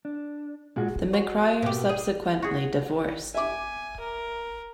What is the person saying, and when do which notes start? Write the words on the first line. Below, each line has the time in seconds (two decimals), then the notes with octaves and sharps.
The McCrerys subsequently divorced.
0.05 D4
0.76 B1 A#2 G#3 F#4
1.13 F#4 C#5
1.62 B2 G4
1.89 G#4
2.42 F#4 G#4
3.34 E5 G#5 D6
4.00 A#4